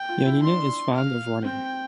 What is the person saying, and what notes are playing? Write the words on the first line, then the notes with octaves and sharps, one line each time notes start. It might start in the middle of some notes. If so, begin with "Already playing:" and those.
Yanina is fond of running.
Already playing: G5
F4
E4
D4 C6
F5
C4 G5